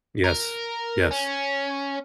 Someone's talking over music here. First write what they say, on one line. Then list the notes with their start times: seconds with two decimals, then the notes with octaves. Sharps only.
Yes. Yes.
0.24 A#4
1.11 C#4